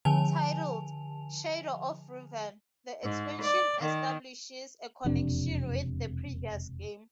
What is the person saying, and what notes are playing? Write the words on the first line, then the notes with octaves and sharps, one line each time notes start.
Titled "Shadow of Revan", the expansion establishes a connection with the previous game.
D3 F3 G#5 A5 F7
G#2
D5
D#3
E1 F2 C3 D4